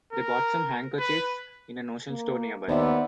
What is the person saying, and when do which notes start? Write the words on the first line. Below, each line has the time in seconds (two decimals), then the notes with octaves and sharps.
They bought some handkerchiefs in a notion store near by.
0.13 A#4
1.00 B4
2.10 A#3
2.68 D#2 B3 C5 D5 E5